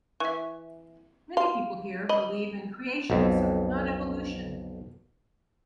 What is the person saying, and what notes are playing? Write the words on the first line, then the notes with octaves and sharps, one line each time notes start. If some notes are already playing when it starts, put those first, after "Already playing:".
Many people here believe in creationism, not evolution.
E3 E5 C#6
F5 C6
D#5 B5
B1 F2